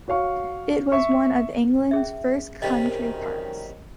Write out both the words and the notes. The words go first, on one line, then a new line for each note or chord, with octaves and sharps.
It was one of England's first country parks.
F#4 C#5 F5 C#6
E5 C#6
C#4 G#4 E5
B1 F#2 C3 D#3 G3 D#5